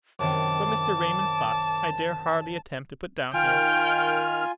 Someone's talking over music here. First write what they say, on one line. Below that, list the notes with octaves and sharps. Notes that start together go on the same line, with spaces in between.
What Mr. Raymond thought, I dare hardly attempt to put down here.
F#2 C3 D#3 A5 D6
D#3 F4 G5 G#5 F6